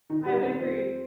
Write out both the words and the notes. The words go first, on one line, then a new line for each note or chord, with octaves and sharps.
I would agree.
D#3 D#4
D#3 G3 G4
C4 C5
F2 C4 C5